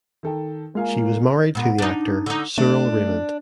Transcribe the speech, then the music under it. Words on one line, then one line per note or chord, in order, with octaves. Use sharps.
She was married to the actor Cyril Raymond.
D#3 A4 G5
G#3 A#3 F4 F5 G#5
A#2 B3
D4 D#4
D3 D#4
A3 D4